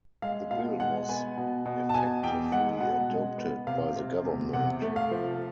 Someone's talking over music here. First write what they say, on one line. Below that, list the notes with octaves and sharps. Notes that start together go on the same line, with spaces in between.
The bill was "effectively adopted" by the Government.
G#3 F5
B2 F5
G#3 F#5
B3 G#5
B2
B2
A5
B2 G#5
E2 G5
G#3 F#5
B2 F#5
G#3
B3
C3 F5
C3
E2
C3 F#5
A3
F5
F3